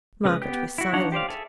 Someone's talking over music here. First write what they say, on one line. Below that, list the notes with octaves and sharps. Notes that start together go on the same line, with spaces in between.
Margaret was silent.
C#3 G#3 B4 D#6
B3 G4
E4 F#4
F3 D4 D#4 C#5 F#5
G4 C5 D5 F5
G#4 A4 E5